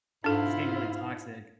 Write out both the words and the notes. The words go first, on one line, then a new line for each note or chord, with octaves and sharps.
just getting really toxic,
G#2 D4 E4 F4 A4